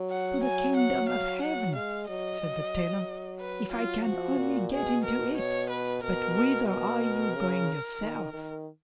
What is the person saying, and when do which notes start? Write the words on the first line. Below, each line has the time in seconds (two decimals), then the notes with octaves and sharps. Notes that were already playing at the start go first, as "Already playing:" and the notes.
'To the kingdom of Heaven', said the Tailor, 'if I can only get into it'--'but whither are you going yourself?'
Already playing: F#3
0.10 F#5
0.44 G#5
0.77 F#5
1.09 F5
1.42 F#3 F#5
1.75 G#3 F5
2.08 F#3 D#5
2.42 F#3
3.40 B4
3.73 F4
4.05 F3 F#4
4.39 A#2
4.72 B2 G#4
5.05 A#4
5.38 C#5
5.71 B4
6.03 B2 A#4
6.69 A#4
7.35 C#3
8.01 D#3
8.33 D#3